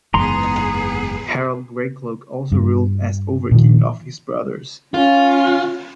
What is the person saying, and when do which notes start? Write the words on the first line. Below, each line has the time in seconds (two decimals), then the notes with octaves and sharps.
Harald Greycloak also ruled as "overking" of his brothers.
0.14 F#1 E2 G#2 B3 G#4 A#5 C6
2.52 G2
3.51 A#2 D#3 F3
4.94 C#4 F4